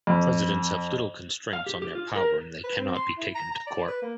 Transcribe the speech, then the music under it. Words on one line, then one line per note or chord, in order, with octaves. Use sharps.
Presidents have little constraints on their power and they cannot be taken to court.
F2
F5
G4
G4
F4
A#4
B4
C4
C6
E4
A#5
A#5
D5
B4
A#3